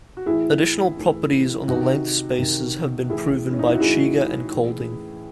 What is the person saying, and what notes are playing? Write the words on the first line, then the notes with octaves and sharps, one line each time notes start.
Additional properties on the length spaces have been proven by Cheeger and Colding.
F#4
A2 E3 E4 G#4
A2 E3
C3 D#3 D#4 F#4
C3 D#3
A2 E3 E4 G#4
C#4
D#4
E4
F#4
A2 E3 E4 G#4
A2 E3